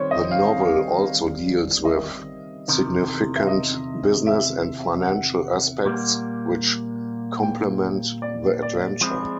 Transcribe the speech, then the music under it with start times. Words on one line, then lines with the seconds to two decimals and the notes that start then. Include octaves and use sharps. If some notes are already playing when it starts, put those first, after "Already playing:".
The novel also deals with significant business and financial aspects which complement the adventure.
Already playing: D#3 G3 C4 C5 C#5
0.11 D#5
0.31 F5
1.85 D#5
1.89 E5
2.68 E2 C3 D#3
3.36 E5
3.47 D#5
4.27 E5
5.05 F#5
5.85 A#2 G3 A#3
7.43 G5
8.22 D5
8.62 D5
9.01 F3 G#3 C4 E4 G#4